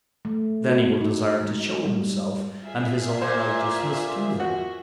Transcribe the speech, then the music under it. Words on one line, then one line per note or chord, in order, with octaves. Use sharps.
Then He will desire to show Himself and His own righteousness to them....
A3
F#4
D#4
G#3
G3
F4 G#4 E5
A#2 C5
F#4